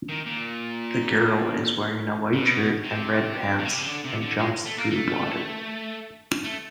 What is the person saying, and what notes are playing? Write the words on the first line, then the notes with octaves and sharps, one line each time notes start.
The girl is wearing a white shirt and red pants, and jumps through water.
D#3
A#2
B2
C3
A#2
B2
C3
C#3
D3
C3
D3
G#3
A3
A#3
A3
A3